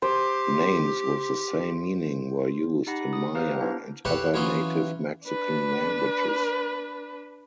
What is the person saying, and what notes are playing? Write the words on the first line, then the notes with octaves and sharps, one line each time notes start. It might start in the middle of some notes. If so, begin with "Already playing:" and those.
Names with the same meaning were used in Maya and other native Mexican languages.
G4 C5
D#4 G4 F#5 B5 A#6
D#6
G4 B4 C5 F5 A#5 F6
B3 D4 E4 C5
G4 A4 B4 C#5 F5 F#5
E3 F#3 B3 C#4 F4
D4 B4